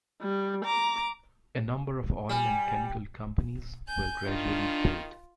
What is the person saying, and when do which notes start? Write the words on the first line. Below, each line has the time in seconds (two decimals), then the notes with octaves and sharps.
A number of oil and chemical companies were gradually built.
0.21 G3
0.65 A#5 D6
2.29 G3 G#5
3.88 G#5 G6
4.26 D#3 D4 F4